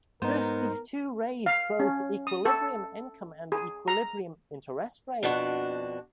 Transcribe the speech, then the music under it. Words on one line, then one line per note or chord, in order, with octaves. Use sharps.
Thus these too raise both equilibrium income and the equilibrium interest rate.
G#2 B3 D#4 A#4 C5
F5
C#4
D#6
A4
G#4
A#5
F2 B2 D4 F#4